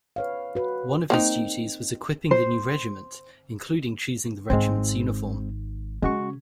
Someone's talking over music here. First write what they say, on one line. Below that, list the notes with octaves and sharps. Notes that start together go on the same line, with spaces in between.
One of his duties was equipping the new regiment, including choosing the regiment's uniform.
B4 C#5 F5
F#4 B4
A#3 C4 D#4
C5
G#1 G#3 C4 D#4
C#3 G#3 C#4 F#4 C#6